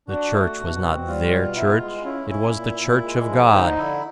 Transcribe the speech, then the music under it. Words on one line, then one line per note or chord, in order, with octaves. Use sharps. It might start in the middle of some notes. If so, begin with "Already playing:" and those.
The church was not their church--it was the church of God!
D4 F#4
A3
B2
C4
G3 F4
B2
E4
G#3
C#4 E4
C#4 E4
A#2
A#2
G#3
F3
D3 D#4
D3 E4